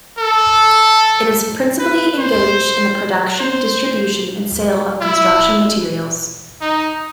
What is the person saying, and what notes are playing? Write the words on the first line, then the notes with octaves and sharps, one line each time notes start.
It is principally engaged in the production, distribution and sale of construction materials.
A4
B4
C5
C5
E4
D#4